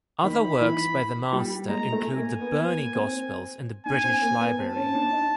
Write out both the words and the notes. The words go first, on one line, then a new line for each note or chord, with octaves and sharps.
Other works by the master include the Burney Gospels in the British Library.
D#3 B5
E3
G3
G#3 A#5
A3
G#5
A#3
B3
B3
A#3
C4
D4 G#5
C4
A#3
B3
C4 A5
C#4
D4
D#4